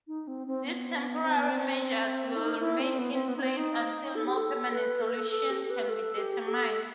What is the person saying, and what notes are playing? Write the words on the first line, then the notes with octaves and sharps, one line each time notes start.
These temporary measures will remain in place until more permanent solutions can be determined.
D#4
C4
C4
B3
C4
B3
C4
E4
D#4
E4
C4
B3
C4
B3
D#4
C4
D#4
A4
G4
A4
B4
A4
B4
A4
A4
G4
B4
A4
G4
A4